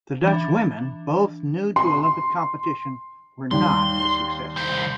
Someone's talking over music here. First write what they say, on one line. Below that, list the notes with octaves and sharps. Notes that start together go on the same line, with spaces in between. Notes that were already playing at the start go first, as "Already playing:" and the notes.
The Dutch women, both new to Olympic competition, were not as successful.
E3 D4
C6
D#2 G3 C6
C2 C5